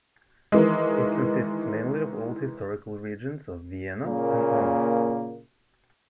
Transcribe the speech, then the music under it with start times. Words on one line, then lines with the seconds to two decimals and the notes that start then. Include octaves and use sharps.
It consists mainly of old historical regions of Viena and Aunus.
0.52 D#3 E3 G#3
4.06 A#2 C#3 A#3